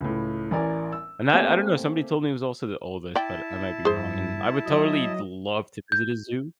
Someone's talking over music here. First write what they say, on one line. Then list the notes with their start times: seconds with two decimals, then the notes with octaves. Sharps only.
and I I don't know, somebody told me it was also the oldest, but I might be wrong, and I would totally love to visit a zoo.
0.01 C#2 A2
0.51 A1 E4 A#4 D5 G#5
0.92 E6
1.32 A3 A#3 C4 G4 E5 G#5
3.16 E4 D5 G5 A5
3.85 G2 G#4 C5
4.66 F#3 D#5
5.92 G6